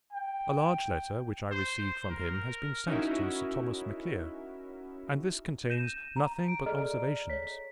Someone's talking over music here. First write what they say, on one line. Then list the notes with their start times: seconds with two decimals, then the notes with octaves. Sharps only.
A large letter which I received from him has been sent to Sir Thomas MacLear, and this contains nothing but observations.
0.13 G5
1.51 C5
2.10 A#4
2.87 C#4 D#4 E4 F#4 A#4 E5
5.70 G6 A#6 D#7 E7
6.16 A#5
6.48 D7
6.66 G#4 A4 D5 D#5 A#5 F6
7.30 C#5 B6